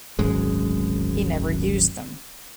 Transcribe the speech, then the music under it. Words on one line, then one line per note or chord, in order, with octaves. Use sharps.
He never used them.
D1 G#1 F#2 G#3